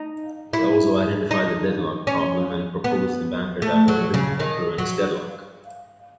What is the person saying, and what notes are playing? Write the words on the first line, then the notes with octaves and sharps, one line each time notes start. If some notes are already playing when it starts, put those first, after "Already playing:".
He also identified the deadlock problem and proposed the banker's algorithm that prevents deadlock.
Already playing: D#4
E4
D#4
C#4
B3
A3
F#3
C#3
D#3
F#3